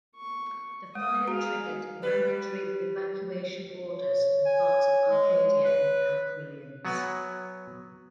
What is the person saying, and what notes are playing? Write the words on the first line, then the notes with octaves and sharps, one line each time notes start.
The fire triggered mandatory evacuation orders in parts of Arcadia and Camp Williams.
C#6
G#3 D#6
F#4 G#4 F5 A#5
G3 B4
C#5
G#5
G#3
B4
F#3 B3 F#5 G#5